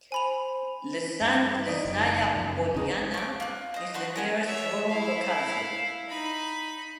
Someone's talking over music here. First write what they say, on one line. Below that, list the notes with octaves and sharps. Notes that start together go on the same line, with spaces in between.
Lesnaya Polyana is the nearest rural locality.
C5 G#5 B5 F7
G2
D#4 D5
F#1
F#2 C#3 F3
G1 D2 C3 C#4 D#4 G#4
C#6 D6
F4 F#6
C5 D#5
D4 F#4 B4 C6
B3 C#4 A#4
C#5 E5
E4 F5
D#4 B5